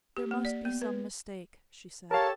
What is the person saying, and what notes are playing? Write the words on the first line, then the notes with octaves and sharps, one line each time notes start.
"There must be some mistake," she said.
G4
A#3
D5
B3
B4
G4 A4 A#4 C#5 F5 A5